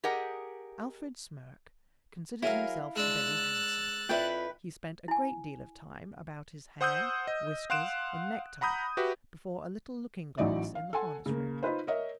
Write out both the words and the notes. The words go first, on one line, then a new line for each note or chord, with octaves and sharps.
Alfred Smirk considered himself very handsome; he spent a great deal of time about his hair, whiskers and necktie, before a little looking-glass in the harness-room.
G4 G#4 A#4 D#5 F#5
F#3 E4 G#4 A#4 F5
G#3 D4 E6 F#6 A6
F2 D4 E4 B4 G5
E4 G#5
C5 F#5 D#6 E6 G6
D#5
F5 F#5 C6 F#6 D7 E7
F#5 A#5 B5 D#6 G6
F#4 G4 B4 E5
A1 E3 F#3 D#4 D5 E5
F5
A4 F#5 G#5 C6
C#3 A#3
D#4 F4 B4 C5
A#4 C#5 D#5 E5